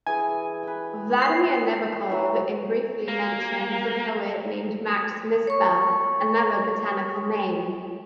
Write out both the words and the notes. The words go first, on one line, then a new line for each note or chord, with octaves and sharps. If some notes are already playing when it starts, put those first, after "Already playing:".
Vladimir Nabokov in briefly mentions a poet named Max Mispel, "another botanical name".
E3 G#4 G#5
B4 G5
C7
E3 F#3 F#4
A#3
C#5 C#6